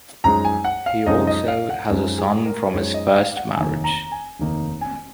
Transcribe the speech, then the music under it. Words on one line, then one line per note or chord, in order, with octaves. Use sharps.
He also has a son from his first marriage.
F#2 F3 G#3 D#4 A#5
G#5
F#5
F5
F#2 F3 G#3 D#4 D#5
D#5
F5
F#5
F#2 F3 G#3 D#4
G#4
A#4
F#2 F3 G#3 D#4 C#5
D#5
F5
F#5
F1 D#2 D#3 A#3 D#4 G#5
A#5
G#5
F1 D#2 D#3 A#3 D#4
G#5